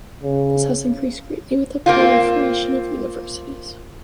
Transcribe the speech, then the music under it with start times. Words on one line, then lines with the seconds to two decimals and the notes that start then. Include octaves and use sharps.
This has increased greatly with the proliferation of universities.
0.23 C#3
1.86 A#3 C4 F4